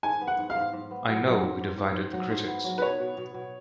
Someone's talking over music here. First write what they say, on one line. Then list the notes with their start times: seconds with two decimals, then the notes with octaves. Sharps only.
I know we divided the critics.
0.03 G#2 G#5
0.21 B3
0.27 F#5
0.38 G#2
0.50 F5
0.56 G#2
0.73 G#2
0.91 B3
1.09 F#3
1.25 F#3
1.43 G#2
1.61 G#2
1.77 G#2
1.95 G#2
2.13 F#3
2.30 G#2
2.47 B3
2.64 F#3
2.78 B4
2.82 B2 C#5
3.00 B2
3.17 B2
3.34 B2